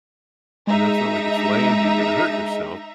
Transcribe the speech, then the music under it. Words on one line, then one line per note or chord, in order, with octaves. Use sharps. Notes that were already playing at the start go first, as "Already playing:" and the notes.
you know, it's not like it's land, and you're gonna hurt yourself."
G#3 D#4 E5 A#5